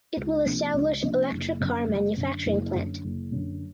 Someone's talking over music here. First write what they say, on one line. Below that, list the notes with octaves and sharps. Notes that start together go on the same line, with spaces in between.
It will establish Electric car manufacturing plant.
C#2
C3 F3 A#3 D4
C#2
C3 F3 A#3 D4
F#1
F#2 D3
F#1
F#2 D3
F#1
F#2 D3
F#1
F#2 D3